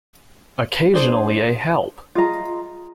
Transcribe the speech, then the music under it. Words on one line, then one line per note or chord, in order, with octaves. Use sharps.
Occasionally a Help!
D4 G#4 C5
F4 G#4 D#5 A#5